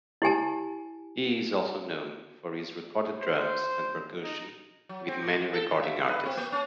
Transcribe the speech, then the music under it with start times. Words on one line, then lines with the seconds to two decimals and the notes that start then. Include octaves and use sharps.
He is also known for his recorded drums and percussion with many recording artists.
0.22 E4 G4 G#5 A5
3.19 C5
4.23 D#4
4.89 F#3
5.08 C4
5.24 A2
5.40 F2
5.53 A4
5.71 A#2
5.82 E5
5.96 A#2
6.10 B4
6.25 C4
6.37 A#3
6.52 C#4